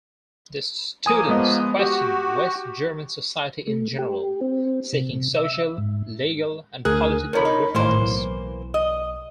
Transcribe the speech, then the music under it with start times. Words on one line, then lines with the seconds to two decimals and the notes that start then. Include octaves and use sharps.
The students questioned West German society in general, seeking social, legal, and political reforms.
1.06 F3 A#3 G#5 D#6 D#7
1.29 G#3 B3 D#5
1.79 F#4 G4
3.67 A3
3.99 G4
4.41 C4
4.93 C3
5.13 C3
5.37 E5
5.78 G#2
6.85 D2 G#4 A#4 F#6
7.33 C3 F3 A#4 C#5 B5
7.45 D#4
7.75 G#1 A2 E3 A#3 C5
7.99 B1
8.74 D#5